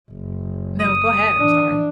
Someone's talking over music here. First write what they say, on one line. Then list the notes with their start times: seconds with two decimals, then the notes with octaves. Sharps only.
No, go ahead, I'm sorry.
0.12 F#1
0.80 D#6
1.37 E3 D4